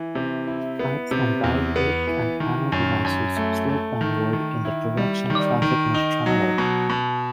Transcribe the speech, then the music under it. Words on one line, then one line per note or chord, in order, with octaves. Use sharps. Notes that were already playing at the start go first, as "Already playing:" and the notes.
Stripes on barricades and panel devices slope downward in the direction traffic must travel.
Already playing: E3
C3
E4
B3
C3
E2
B3
E3
D#3
F#2
F#2
A3
A3
D#3
D#3
E4
G3
D#3
D#3
D#4
F#3
B2
B2